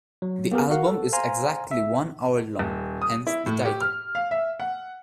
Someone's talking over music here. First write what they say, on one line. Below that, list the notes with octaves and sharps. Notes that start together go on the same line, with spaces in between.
The album is exactly one hour long, hence the title.
F#3
A#3 B3 G4 G#4 A#4
F#4 A#4 F5 F#5
A4
C5 F5 G#5 A#5 C6
E5
D#1
D#6
E4
A2
G4
F6
F5
E5
F#5